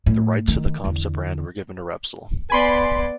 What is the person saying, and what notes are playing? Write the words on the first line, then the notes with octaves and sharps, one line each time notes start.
The rights to the Campsa brand were given to Repsol.
A2
D#3
E2 D3
B3 D5 G#5 B5 C6